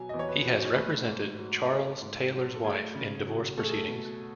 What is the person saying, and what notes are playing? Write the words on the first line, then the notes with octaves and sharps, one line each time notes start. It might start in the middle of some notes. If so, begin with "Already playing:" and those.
He has represented Charles Taylor's wife in divorce proceedings.
Already playing: B2 F#3 G#5
E2 D#5
C#5
B4
B2
C#5
A3 B4
G#2
F#3
C#4 A4
G#2
F#3
A4
A3 G#4
C#3
F#3
A3 A4
G#4
A4
B2